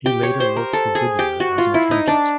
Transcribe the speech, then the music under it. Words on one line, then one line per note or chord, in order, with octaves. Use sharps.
He later worked for Goodyear as an accountant.
G4
C#5
C5
A#4
A4
G#4
G4
F#4
F4
E4
D#4
D4